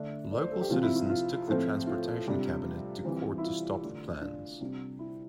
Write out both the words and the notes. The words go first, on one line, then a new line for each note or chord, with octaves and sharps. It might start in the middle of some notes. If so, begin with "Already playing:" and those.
Local citizens took the Transportation Cabinet to court to stop the plans.
Already playing: D3 A3 D4 E5
D5
C5
A4
G4
C3 F3 C4 F4
E4
F4
F4
A2 F3 C4
F4
C3 G3 D4
E3 G3 C4
E4
F4
D3 A3 D4
D4
C3 G3 D4
E4